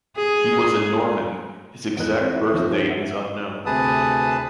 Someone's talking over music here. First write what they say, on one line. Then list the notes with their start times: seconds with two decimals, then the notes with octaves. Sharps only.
He was a Norman; his exact birth date is unknown.
0.17 G#4
1.97 E2 G#3 B3 A#4 D#5 F#6
2.21 C4
2.35 E4 B4 E5
2.53 D#2 F3 C4
2.69 D#4 G4 G#4 C5
2.89 E5 F#5
3.66 D2 C3 G#4 B4 A5 D#6